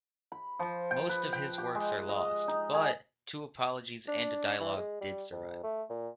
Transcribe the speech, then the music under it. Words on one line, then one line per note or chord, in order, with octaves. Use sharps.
Most of his works are lost, but two apologies and a dialogue did survive.
B5
F3
G5
B4
G5
G4
G#3
D#5
D#4
G#4
D4
E3
G#3
G3
F2
A3
A#2